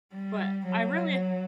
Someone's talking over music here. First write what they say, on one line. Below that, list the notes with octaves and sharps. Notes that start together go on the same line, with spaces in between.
But I really
G3
F#3